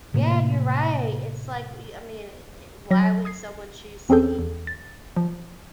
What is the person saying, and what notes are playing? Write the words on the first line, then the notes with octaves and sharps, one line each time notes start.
Yeah, you're right. It's like, y I mean, e e why would someone choose to eat
A2 C3 A#3
F#3 A#6
D#6 G#6 C7
E2 C4 C#4 G#4 A4 G6
E2
A6
F3